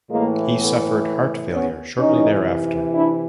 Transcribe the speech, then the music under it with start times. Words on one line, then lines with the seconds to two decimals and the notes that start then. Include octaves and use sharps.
He suffered heart failure shortly thereafter.
0.11 A2 E3 G#3 A#3
0.57 A3 B3
1.51 B3 C#4
1.98 C3 E3 C#4 D#4
2.92 D4 E4